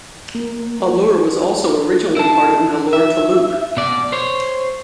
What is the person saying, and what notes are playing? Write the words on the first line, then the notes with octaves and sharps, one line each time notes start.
Allur was also originally part of Nellore Taluk.
A#3
E4 A5
E5
B2 D5
C5 C#5